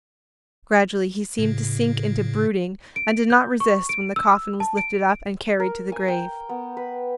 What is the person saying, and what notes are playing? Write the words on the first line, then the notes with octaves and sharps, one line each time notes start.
Gradually he seemed to sink into brooding and did not resist when the coffin was lifted up and carried to the grave.
A2 C#3
D7
G6
C#6
D7
E6
A5
D7
A#4
G#5
G5
B3
B4